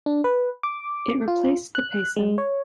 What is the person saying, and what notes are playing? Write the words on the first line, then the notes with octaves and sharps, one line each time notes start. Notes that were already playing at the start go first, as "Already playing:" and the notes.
It replaced the peso.
D4
B4
D6
F4
F#6
G#3
C#5